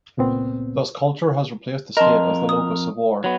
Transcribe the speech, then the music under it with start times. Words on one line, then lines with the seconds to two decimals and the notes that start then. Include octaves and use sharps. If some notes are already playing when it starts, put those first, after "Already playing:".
Thus, culture has replaced the state as the locus of war.
0.17 C#2 A#2 B3 C4
1.97 F2 A#4 D#5 A5 C6
2.49 D#6
3.24 F#3 B3